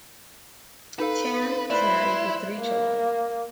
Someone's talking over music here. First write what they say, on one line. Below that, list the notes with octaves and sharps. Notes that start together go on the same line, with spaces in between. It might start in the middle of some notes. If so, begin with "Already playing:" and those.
Tan is married with three children.
D#4 A4 B4 F5
E4 B4 C5 D5 E5
A#3